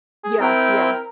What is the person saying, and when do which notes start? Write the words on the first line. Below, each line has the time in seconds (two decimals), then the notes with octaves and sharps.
Yeah, yeah.
0.24 G#4
0.40 C4 E4 A#4 G5